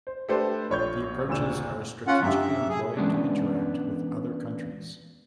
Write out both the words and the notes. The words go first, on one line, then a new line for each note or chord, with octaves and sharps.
The approaches are strategically employed to interact with other countries.
C5
A3 D4 G4 A4 B4 C5
A#1 C#5 C#6 G6
F#1 D2 A#2 E6 E7
C#4 F4 F#5
F#2 D3 G4 E5
G#4
E3 G#3 B3 C#4 D4